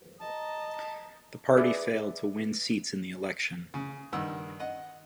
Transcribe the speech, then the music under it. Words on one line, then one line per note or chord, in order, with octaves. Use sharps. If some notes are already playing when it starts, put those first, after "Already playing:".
The party failed to win seats in the election.
D#5 A5 A#5
G#4 B4 D5 E5
C#3
G2 D#3 F#5 E6
D#5 F#5